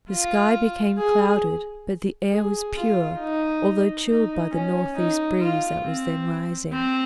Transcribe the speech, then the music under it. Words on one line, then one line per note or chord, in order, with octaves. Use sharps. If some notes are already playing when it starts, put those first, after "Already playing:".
The sky became clouded, but the air was pure, although chilled by the northeast breeze that was then rising.
F4
G#4
G#4
F4
D#4
D#4
C#4
D#4
F4
C4
C4